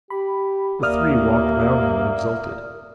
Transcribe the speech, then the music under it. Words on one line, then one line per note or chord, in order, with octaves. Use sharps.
The three walked round him and exulted.
G4 B5
D#2 A#3 D5 E5 D#6 F6